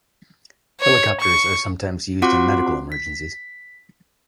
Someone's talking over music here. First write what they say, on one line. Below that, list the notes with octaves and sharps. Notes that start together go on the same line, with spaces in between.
Helicopters are sometimes used in medical emergencies.
C#5
C#6
C4 F4 F#4 F#5 C6 D6
B6